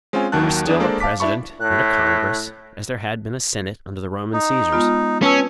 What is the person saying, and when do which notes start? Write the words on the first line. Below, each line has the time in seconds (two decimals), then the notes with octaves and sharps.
There was still a president and a congress, as there had been a Senate under the Roman Caesars.
0.13 G#3 C4 C#4 F4 F5 G#5
0.32 D#2 D#3 F#3 A5 F#6
0.66 E2 D4 G#4
0.80 G#3 A#3 D4 A4 C5 D5
1.00 F5 A5 D6 B6
1.20 D4 E4 E5 A5 B5 C#6
1.60 A2 F#6
4.33 D#4
4.72 G#3 B3 F4
5.22 C#4 B4 A5 E6